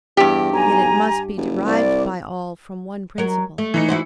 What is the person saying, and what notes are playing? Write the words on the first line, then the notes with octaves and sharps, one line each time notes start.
Yet it must be derived by all from one principle.
E2 G2 G4
B1 G#5 A#5
F#1
C2 D5
F#3 A#4
A3
E3 D#4 C#7
E4 F#4 C5